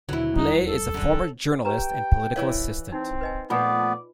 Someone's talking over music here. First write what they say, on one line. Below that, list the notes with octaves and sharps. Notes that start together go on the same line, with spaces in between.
Blais is a former journalist and political assistant.
D#2 B2 D3 F#3 E4
D#1 E2 G3 D#4
A4
F#2 D3
G4 B4 G5 A#5
E3 E4 B4 C#5 D5 F5
C4 D#4
B4 D#5 G#5
A#2 F3 A3 B3 F4 B4 D5